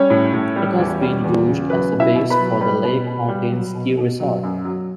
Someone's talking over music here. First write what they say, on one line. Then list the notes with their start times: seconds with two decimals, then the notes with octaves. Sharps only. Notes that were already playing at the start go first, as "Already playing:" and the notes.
It has been used as a base for the Lake Mountain ski resort.
Already playing: G3 C#4 C#5
0.10 A2
0.33 A2
0.56 G3
0.79 E2
1.01 G3
1.24 E2
1.47 C#3
1.70 F#3 B4
1.92 B2
2.00 E4 E5
2.15 B2
2.30 B4 B5
2.39 F#3
2.61 G3 B4 B5
2.84 B2
3.07 B2
3.28 G3
3.52 F#3
3.75 B2
3.98 B2
4.20 F#3
4.43 F#2
4.65 F#3